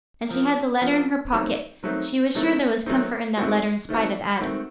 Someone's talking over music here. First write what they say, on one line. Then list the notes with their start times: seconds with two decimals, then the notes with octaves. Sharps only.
And she had the letter in her pocket: she was sure there was comfort in that letter in spite of Adam.
0.29 F3 C4 F4 A#4
0.80 F3 C4 F4 A#4
1.32 D#3 F#3 A3 C4 D#4
1.83 D#3 F#3 A3 C4 D#4
2.35 D#3 F#3 A3 C4 D#4
2.86 D#3 F#3 A3 C4 D#4
3.37 D#3 A3 C4 F#4
3.89 D#3 A3 C4 F#4
4.40 D#3 A3 C4 F#4